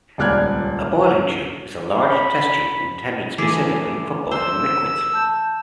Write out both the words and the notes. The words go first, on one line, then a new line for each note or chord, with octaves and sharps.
A boiling tube is a large test tube intended specifically for boiling liquids.
D#1 C#2 D5 F6 F#6 G#6
B5
E3 A3 G#4 D6
C5 E6
A5 G6 E7